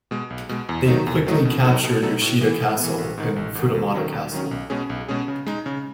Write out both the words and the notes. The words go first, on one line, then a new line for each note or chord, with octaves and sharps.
They quickly captured Yoshida Castle and Futamata Castle.
B2 G#3
B1
B2 G#3
E2
D#3 F#3 A3 D#4
E2
D#3 F#3 A3 D#4
B2
F#3 B3 D#4 A4
B2
F#3 B3 D#4 A4
A2
E3 B3
A2
E3 B3
A1
G#2 D#3
A1
G#2 D#3
D#2
D#3 F#3 C#4
D#2
D#3 F#3 C#4
B1
B2 G#3 C#4 G#4
B1
B2 G#3 C#4 G#4
C#3
G#3 D#4
C#3